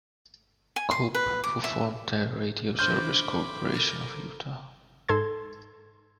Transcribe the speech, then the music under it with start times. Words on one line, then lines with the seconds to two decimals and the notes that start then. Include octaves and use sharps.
Cope, who formed the Radio Service Corporation of Utah.
0.76 G#5
0.91 C6
1.15 B4
1.44 D6
1.64 E5
2.79 A2 C#3 C5 B5 C6 D6 F6 G6
3.72 D3 A4 A#4
5.09 G#2 A4 C6 G#6